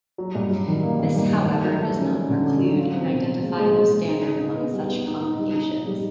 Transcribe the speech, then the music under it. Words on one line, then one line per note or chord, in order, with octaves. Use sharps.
This, however, does not preclude an identifiable standard among such congregations.
F#3
G2
F#3
D#3
A#3
D#3
G2
D#3
A3
F#3
A3
C#4
C#4
D3
C#4
F#3
F4
C4
B2
F4
G#3
G#3
G#3
G#3
D#4
D#4
D#4
B3
G3
B3
D#4
D#4
G3
D#4
D#4
G3